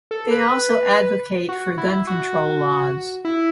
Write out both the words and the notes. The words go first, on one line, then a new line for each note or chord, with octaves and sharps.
They also advocate for gun control laws.
A4
B4
F#4
E4
F#4
E4